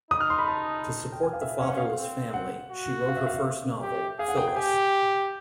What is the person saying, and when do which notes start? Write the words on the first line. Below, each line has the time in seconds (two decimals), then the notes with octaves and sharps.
To support the fatherless family, she wrote her first novel, "Phyllis".
0.11 D#4 D#6
0.21 F6
0.30 C6
0.38 B5
0.48 A5
1.12 G5
1.23 G#5
1.33 F5
1.41 E5
1.59 C#4 F5
1.68 F#5
1.78 F5
1.97 C4
2.34 F#5
2.71 F#4
3.08 F5
3.17 E5
3.27 F5
3.36 E5
3.82 G4
4.19 G#4 F5
4.28 F#5
4.37 G5
4.48 G5
4.56 G4 G#5